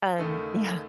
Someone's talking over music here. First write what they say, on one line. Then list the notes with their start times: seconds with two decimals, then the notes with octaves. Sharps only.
Um, yeah.
0.18 D#2 C#3 A3 D#4 A4